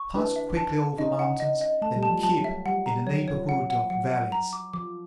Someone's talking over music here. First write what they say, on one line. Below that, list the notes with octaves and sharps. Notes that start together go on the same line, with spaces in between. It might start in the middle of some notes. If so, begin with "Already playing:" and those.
Pass quickly over mountains, and keep in the neighborhood of valleys.
Already playing: C#6
D4 E4 B4
E5
A5
A5
C#4 D#4 D#5
F#5
D#5
D#5
A3 A5
G3
A5
F3
F#3 A5
E5
G3 F#5
A#5
F#3 C#5
F3 C#5
F#5
F#5
F#3 F#5
F#5
A#5
D6
F3 D6